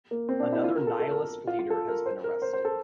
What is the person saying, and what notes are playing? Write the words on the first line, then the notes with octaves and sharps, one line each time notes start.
Another Nihilist leader has been arrested.
A#3
C4
D4
E4
F4
A#4
A4
A4
A#4
A#4
F4
F4
A4
A#4
C5
A#4
C5
C5
A4